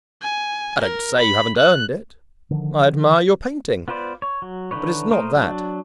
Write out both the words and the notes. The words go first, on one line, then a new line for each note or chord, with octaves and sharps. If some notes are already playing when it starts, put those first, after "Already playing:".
I don't say you haven't earned it; I admire your painting; but it's not that.
G#5
A#4
B5
F#6
D3 D#3 F3
B3 F4 B4 C5 D5
C#5
F#3
D3 E3 D#4 B4 C#5
A3 A#4 C5 D#5
F#3 D4